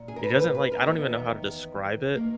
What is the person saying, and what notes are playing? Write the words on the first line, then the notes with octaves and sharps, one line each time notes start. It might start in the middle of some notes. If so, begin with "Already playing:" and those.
it doesn't like, I don't even know how to describe it,
Already playing: A#2
G#4
A#4
B4
B4
B4
A#4
E2 D#3 B3
D#3 A#3